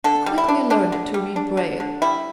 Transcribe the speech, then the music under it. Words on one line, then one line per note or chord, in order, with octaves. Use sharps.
He quickly learned to read Braille.
D3 A4
G3
E4
D4
D3 D4
D3
G3
D4
D3
D3
G3 E4